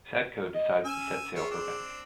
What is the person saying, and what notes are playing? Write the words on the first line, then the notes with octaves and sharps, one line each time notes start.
Sadko decides to set sail for Venice.
D#5
C#4 G#5 E6
F4 G#4 C#5 E5
C4 D4